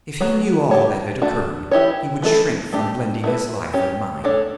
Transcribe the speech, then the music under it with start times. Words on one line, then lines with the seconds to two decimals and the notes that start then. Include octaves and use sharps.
'If he knew all that had occurred he would shrink from blending his life with mine.'
0.21 F#3 B3 F#4 C#5
0.71 D4 G4 C#5
1.22 A3 D4 F#4
1.71 E3 A3 E4 G4 C#5
2.22 E3 A3 E4 A4
2.73 A3 D4 G4
3.24 A3 E4 B4
3.74 C#4 G4 C#5
4.24 A3 D4 A4 C#5